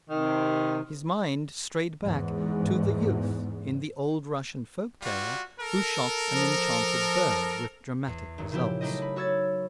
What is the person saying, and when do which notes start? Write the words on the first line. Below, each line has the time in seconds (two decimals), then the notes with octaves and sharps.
His mind strayed back to the youth in the old Russian folk-tale who shot an enchanted bird with dramatic results.
0.09 C3 D#3
2.03 E2 G#2
5.02 G3 F4 F#4
5.58 A4 A#4
6.29 F3
8.07 E2
8.38 G#1 D#3
8.51 A#2 C#3 F3 E4 G4
8.81 F#3 A3 D#4 E4 G4 D#5
9.02 B5
9.16 F#4 C#5 E6 G#6 A6